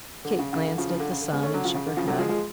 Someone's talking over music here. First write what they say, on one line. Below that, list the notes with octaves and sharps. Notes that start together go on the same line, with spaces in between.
Kate glanced at the sun and shook her head.
D3
C#3
C#3
D3
C#3 F3
C#3 F3
D3
C#3
D3
G#3 B3
A3 C#4
D3 F#3
C#3 F3
C#3
D3
C#3 F3
D3 F#3
F3 G#3
F3 G#3